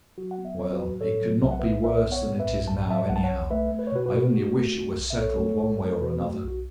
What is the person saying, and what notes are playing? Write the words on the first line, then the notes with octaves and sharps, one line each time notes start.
"Well, it could not be worse than it is now, anyhow; I only wish it was settled one way or another."
F#3 F#4
F#5
B3
E5
F#3 C#5
F#4 B4
A2
A2 A4 C#5
F#3
B1 E5
F#5
A2 B4 E5
B1 B4 E5
B3
C#5 F#5
A2
B4 E5
B1
A2 A5
F#3 E5 A5
B1 F#5
A5
C#5 F#5
B1
A3 B4 E5
A3
B4
C#5
B2 F#4 B4
F#4 B4
B2
A3 F#4
A3
A3
B1
E5
B1 A4 C#5
A3
B1
A3
A4
B2 F#4 B4
A3
F#4
B1
F#4